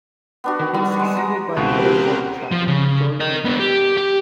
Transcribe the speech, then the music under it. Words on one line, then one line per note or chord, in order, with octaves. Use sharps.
He was succeeded by another former Chaplain, George Henry.
B3 D4 F#4
D#3
G3 B3
G#3
A#5
C#2 B2 C4 G4 A#4 B4
F3
C#3
A#4 D#5
B3 D4
G4
G4